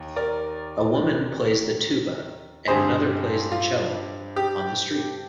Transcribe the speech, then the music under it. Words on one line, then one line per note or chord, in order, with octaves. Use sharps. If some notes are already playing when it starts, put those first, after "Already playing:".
A woman plays the tuba and another plays the cello on the street.
Already playing: D#2
A#4 D5
G2 D3 G3 C4 G#4 C5
F4
G4